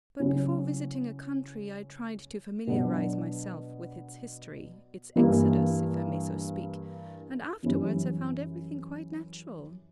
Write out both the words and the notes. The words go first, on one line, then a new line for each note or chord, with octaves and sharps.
But before visiting a country, I tried to familiarize myself with its history, its Exodus, if I may so speak, and afterwards I found everything quite natural.
C#3 F#3 C#4 E4
B2 F#3 B3 D4
G2 E3 A#3 E4
F#2 E3 G3 C#4 E4